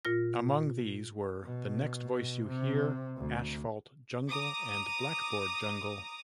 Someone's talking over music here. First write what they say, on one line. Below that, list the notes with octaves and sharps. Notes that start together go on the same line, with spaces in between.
Among these were "The Next Voice You Hear", "Asphalt Jungle", and "Blackboard Jungle".
A#2 F4 A#6
B2
C3
D2
A#5 D6 D#6